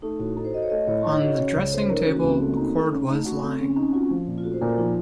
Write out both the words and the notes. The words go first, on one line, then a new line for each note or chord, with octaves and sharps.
On the dressing-table a cord was lying.
A3 D#4
A2 F#4
D#4 A4
C5
F#4 D#5
C#5
A3 D#5
A2 C#5
D#4 C#5
F#4 C#5
C#3 C#5
C#2
A3 C5
D#4 A#4
C#3 F#4
A#3
C#2 C4
A#3
A3
D#4
A3
C#3
A3 D#4
F#4
A3 C4
C#3 C#4
C#4 D#4
F4 F#4
F3
A#2
F4
A3 F#4
C5
A#2 A#4
F4
F3 D#4